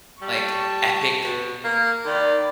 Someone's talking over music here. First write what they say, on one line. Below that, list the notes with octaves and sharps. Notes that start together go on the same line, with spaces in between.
like, epic
G3 A5 C#6
B2
A#3
D#3 D5 B5